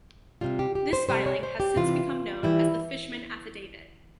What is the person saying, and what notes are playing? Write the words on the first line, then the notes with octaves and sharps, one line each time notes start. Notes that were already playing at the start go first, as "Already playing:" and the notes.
This filing has since become known as the Fishman Affidavit.
C3 G3 F4
G4
G4
C5
C3 G3 C5
C#5
C5
G4
C3 E3 G3 F4
E3 G3 E4